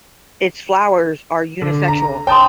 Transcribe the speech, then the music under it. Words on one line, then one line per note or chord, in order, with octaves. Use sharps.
Its flowers are unisexual.
D3
A#5
C#5 G5 A5 C6 D#6